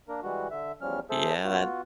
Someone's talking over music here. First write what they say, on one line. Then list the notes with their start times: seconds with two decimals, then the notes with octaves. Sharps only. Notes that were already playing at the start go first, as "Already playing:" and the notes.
Yeah, that
0.09 A#3 D4 A#4
0.23 E3 G3 G#3 F#4
0.51 D3 E5
0.81 E2 F3 G3 C#4 F6
1.10 G#4 A4 C5 E5 A5
1.44 B3 F4 F#4